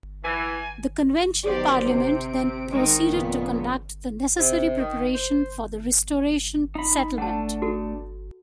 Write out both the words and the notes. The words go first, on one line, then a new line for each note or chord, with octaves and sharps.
The Convention Parliament then proceeded to conduct the necessary preparation for the Restoration Settlement.
E3 G#5
B2 D#3 F#3 G4 C5 D5
C3 C4 D7
D#3 G#3 D#4
F2 A#2 C#3 B3
C3
D#3
C5
D#4 B5
A3 D4 F#5 A5
F#4 A4